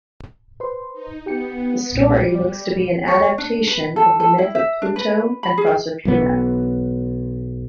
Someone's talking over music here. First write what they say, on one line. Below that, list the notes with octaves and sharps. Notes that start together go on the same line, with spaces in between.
The story looks to be an adaptation of the myth of Pluto and Proserpina.
B4 C5 C6
D#4
B3 G4 G5 C#7
B1 A#2 G3
D5
C#5
D4
B4
A4
A4
E4
E5
D4
B4
B5
G#4
B1 E3 B3